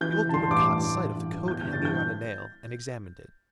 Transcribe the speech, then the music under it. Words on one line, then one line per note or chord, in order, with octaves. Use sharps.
The old woman caught sight of the coat hanging on a nail, and examined it.
E3 G6
E3
A5
G2 C6
A1 D6
A1
A1
G2
E3
E3
G1 G6
G6
G2
A6
E3 G6